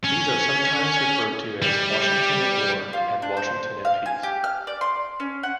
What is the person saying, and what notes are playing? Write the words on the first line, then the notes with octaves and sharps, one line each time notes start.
These are sometimes referred to as "Washington at War" and "Washington at Peace".
C#4
G3
F4
D4
C5
F5
G#5
G4
F6
D5
C6
C#4
F#5